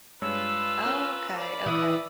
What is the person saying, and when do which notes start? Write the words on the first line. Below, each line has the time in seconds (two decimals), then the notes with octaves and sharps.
Okay. Okay.
0.22 G2 G#3 F4 B4 C#5 E6
0.86 C#4 A#4
1.36 D5 B5
1.66 E3 E4 D#6